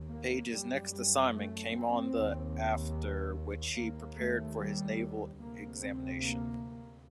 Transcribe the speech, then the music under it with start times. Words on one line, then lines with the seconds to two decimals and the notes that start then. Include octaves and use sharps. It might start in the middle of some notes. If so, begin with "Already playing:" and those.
Page's next assignment came on the after which he prepared for his naval examination.
Already playing: D#2
0.10 A#3
0.50 F#2 G3
0.92 G3
1.31 A3
1.72 C4
2.13 D#2
3.76 D#2 A#3
4.16 A3
4.57 G3
5.39 D2 C3 A#3
5.80 C4
6.20 A#3